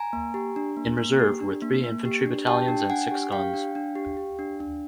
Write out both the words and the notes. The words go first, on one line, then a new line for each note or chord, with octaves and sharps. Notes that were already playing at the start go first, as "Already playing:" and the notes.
In reserve were three infantry battalions and six guns.
Already playing: G#5 A#5
A#3
G4
D4
A#3
A#3
G4
D4
A#3
A#3
G4
D4
G4 G5 A5
D4
G5
D4 F#5 G#5
G4
G4 F5 G5
D4
D4
G4
G4
D4
D4